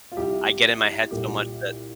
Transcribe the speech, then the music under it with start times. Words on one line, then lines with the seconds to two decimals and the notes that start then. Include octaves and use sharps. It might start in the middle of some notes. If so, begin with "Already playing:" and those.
I get in my head so much that
0.12 F4
0.17 C2 C3 G3 G4
1.11 C2 A#2 G3 G4